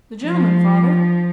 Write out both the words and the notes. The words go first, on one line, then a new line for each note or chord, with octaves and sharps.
'The gentleman, father.'
F3